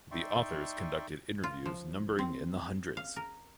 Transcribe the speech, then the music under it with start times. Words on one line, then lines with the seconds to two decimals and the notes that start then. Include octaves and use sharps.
The authors conducted interviews numbering in the hundreds.
0.11 D#4 D5 E5 G5 C6 C#6
1.43 F4
1.66 F3
2.19 C4
2.97 F5
3.16 A#4